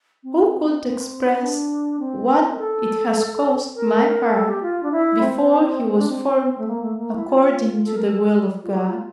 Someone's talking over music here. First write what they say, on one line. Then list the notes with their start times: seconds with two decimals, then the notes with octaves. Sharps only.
Who could express what it has cost my heart before he was formed according to the will of God?
0.23 C4
0.82 C4
1.41 D4
1.99 C4
2.52 A#4
2.58 A4
3.75 A#4
4.26 A#4
4.33 A4
4.48 G4
4.62 F4
4.83 D4
4.92 E4
5.21 C4
5.98 D4
6.09 C4
6.58 A3
6.67 A#3
6.82 A3
6.97 A#3
7.15 E4
7.26 F4
7.84 A4
7.94 A#4
8.04 A4
8.64 F4
8.72 G4
8.87 F4